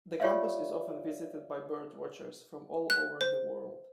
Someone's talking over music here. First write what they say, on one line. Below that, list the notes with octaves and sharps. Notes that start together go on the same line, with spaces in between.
The campus is often visited by bird watchers from all over the world.
F4 G4 C#5 D5 E5 F5
F#6
C5